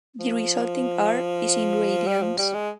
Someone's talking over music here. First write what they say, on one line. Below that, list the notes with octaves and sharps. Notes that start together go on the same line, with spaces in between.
The Resulting "R" is in radians.
F3
G3
F3
G3
G#3